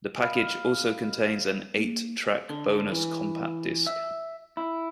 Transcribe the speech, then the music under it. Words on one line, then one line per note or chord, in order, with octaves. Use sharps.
The package also contains an eight track bonus compact disc.
D#5 F5 B5
A#3
D3
E3
E5
E4